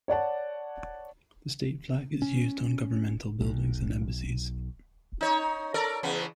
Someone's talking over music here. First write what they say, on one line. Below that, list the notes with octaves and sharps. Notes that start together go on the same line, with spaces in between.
The State flag is used on governmental buildings and embassies.
C#5 D5 F#5 A5
C#4
B1
D#4 C#5
A4 A#4 D5
E2 C#3 B3